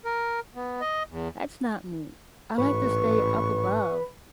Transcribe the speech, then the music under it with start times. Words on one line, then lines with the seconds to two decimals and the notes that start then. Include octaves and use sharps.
That's not me. I like to stay up above
0.05 A#4
0.55 B3
0.81 D#5
1.10 E2
2.58 A1 G#2 B4 C#6